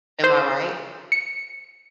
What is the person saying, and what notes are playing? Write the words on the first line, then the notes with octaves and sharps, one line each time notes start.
Am I right?
C5
C#7